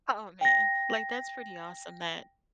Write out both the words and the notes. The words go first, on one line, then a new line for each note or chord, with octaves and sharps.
Oh, man, like, that's pretty awesome that
G5 A#6